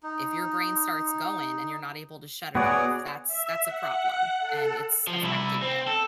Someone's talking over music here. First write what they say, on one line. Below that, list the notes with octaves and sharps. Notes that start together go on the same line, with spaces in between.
If your brain starts going and you're not able to shut it off, that's that's a problem and it's affecting you.
D#4
B3 F#4 G#4 C#5 D5 F#5
E5
F#5
A4
F3
C2 E4
C4
A4